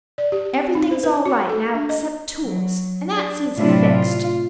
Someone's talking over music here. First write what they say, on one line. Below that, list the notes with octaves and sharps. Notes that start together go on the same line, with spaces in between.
"Everything's all right now except tools; and that's easy fixed."
D5
G4
C4
D#4
C5
B4
F#4
A4
D4
D#5
F#3
D4
A2 C3 F#3 D4 E4 F4
F4